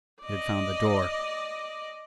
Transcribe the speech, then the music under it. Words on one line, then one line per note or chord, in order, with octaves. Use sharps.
It had found the door!
D5 D#5